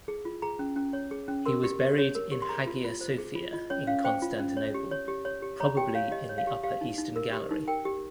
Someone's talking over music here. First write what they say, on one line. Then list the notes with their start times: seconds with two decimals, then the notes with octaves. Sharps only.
He was buried in Hagia Sophia in Constantinople, probably in the upper Eastern gallery.
0.08 G#4
0.25 F4
0.42 G#4 A#5
0.59 C#4
0.76 C#4
0.93 C#5
1.11 G#4
1.28 C#4
1.46 A#4 C6
1.64 G4
1.80 G4
1.98 C#5
2.15 A#4
2.32 G4
2.42 C6
2.49 G#4 A#5
2.67 F4
2.84 F4
3.01 C5
3.18 G#4
3.35 F4
3.53 F4 D#5
3.70 C#4 C#5
3.87 C#4 F5
4.05 C5 G5
4.22 F4
4.39 C#4
4.57 C#5
4.74 G4
4.91 C#5
5.08 G4
5.25 C#5
5.42 G4
5.60 C#5 A#5
5.77 G4 G5
5.95 C#5 F5
6.11 G4 D#5
6.29 C#5
6.38 F5
6.47 G4
6.63 G4 F5
6.81 D#4
6.98 D#4
7.16 A#4
7.33 G4
7.51 D#4
7.68 A#4 G5
7.85 G4